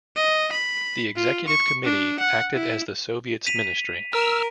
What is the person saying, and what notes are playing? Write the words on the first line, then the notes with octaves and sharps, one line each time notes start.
The Executive Committee acted as the Soviet's ministry.
D#5
B5
F4
C#6
D4
F#5
E4
B6 D#7 F7
A#4 E6 F6